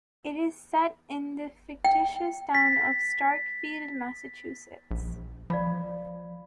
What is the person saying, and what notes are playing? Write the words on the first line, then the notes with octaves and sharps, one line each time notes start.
It is set in the fictitious town of Starkfield, Massachusetts.
G5
A6 B6
A#1
F3 D5 F5 B5